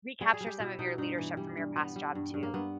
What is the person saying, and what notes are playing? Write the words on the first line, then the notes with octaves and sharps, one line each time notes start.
recapture some of your leadership from your past job, too.
G3 G#4
G#4
G3
G4
B2 E4
B2 D#4
G2 D#4
E3
G3
G2
G3 B3
G3
G2
G2
A#3
G2 B3